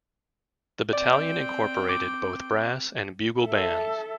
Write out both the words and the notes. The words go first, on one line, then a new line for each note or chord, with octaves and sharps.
The battalion incorporated both brass and bugle bands.
C4 D5 G5
D6
A4 E5